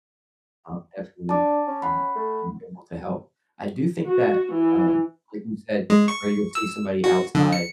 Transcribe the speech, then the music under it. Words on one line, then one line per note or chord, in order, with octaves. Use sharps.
um, definitely, um, you know, able to help. I do think that, um, like you said, where you'll see somebody outside,
D4 A5 D6
C#4
F#5 B5
A3
F#4
E3
G#3
C#6
E6
F#4
D3
C#7